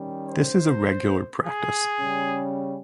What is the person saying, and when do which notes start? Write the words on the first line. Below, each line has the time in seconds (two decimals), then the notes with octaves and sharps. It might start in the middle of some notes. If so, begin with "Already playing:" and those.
This is a regular practice.
Already playing: D#3 G3 C#4
0.29 C5
1.43 G#4
2.00 C#3 G3 C#4